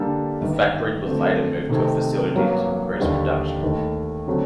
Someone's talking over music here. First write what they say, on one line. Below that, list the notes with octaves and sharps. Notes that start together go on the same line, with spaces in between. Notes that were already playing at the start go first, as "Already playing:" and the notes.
The factory was later moved to a facility to increase production.
Already playing: D3 G3 A#3 D4 A4
G1 G2 D#3
D3 A3 C4 F#4 C5
C3 D#3 A3 C4
G2 F#3 A#3
D#2 D3 G3
D#2 D#3 A3
D3 F#3 A3 C4 F#4